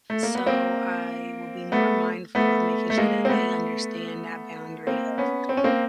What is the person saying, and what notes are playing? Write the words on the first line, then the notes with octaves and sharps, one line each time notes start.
so I will be more mindful of making sure that they understand that boundary of
A3
A#3
B3
A#3 C4
A3 B3
A3 B3
A3
G#3 A#3
C4
A3 B3
A#3 C4
B3 C#4
C4
C#4
A#3 C4